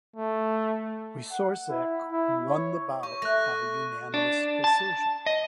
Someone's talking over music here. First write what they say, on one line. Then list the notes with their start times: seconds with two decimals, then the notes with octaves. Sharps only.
Wieczorek won the bout by unanimous decision.
0.16 A3
1.31 F#5
1.69 E4
2.12 E4
2.48 C#5
3.03 G4 C#6
3.22 A3 F#6 A#6
4.14 D4
4.64 A5
5.26 D#5